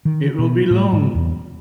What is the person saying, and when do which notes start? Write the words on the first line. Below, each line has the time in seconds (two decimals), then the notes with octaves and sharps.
It will be long.
0.05 D#3
0.38 B2
0.71 A2
0.93 G#2
1.15 E2